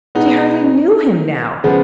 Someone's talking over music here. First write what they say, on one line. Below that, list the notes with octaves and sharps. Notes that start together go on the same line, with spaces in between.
She hardly knew him now!
B2 G#3 B3 D#4
C#3 F3 G#3 B3